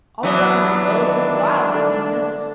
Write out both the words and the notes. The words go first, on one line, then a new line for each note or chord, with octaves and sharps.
All around were low, wild-looking hills.
B2 E3 F#3 B3 D4
D#3
D3